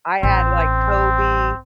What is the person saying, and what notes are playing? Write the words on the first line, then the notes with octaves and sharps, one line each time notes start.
I add, like, Colby
A1 C4